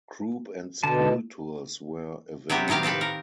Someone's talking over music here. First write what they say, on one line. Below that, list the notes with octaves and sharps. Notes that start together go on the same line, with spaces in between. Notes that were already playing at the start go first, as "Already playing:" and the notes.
Group and school tours were available.
B2 D3 A5
C3 F#3 B3 G4 E5
A2 D#3 F#3 G4 F5
C4 G4 A4 B4
A#4